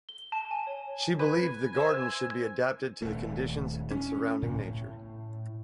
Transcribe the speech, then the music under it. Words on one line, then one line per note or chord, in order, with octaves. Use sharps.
She believed the garden should be adapted to the conditions and surrounding nature.
G7
A5
G#5
C#5
B4 G#5
C5 E5
D#1 A3
C#4
A2